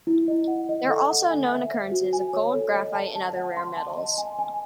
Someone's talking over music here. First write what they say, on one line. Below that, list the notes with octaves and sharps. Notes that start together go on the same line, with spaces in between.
There are also known occurrences of gold, graphite, and other rare metals.
E4
D#5
F#5
D#5
A4
F#5
G#5
E5
C5
F#4
G#5
C#5
A4
D#5
A5
A5
F#5
C6
A5
D#5
G#5
G#5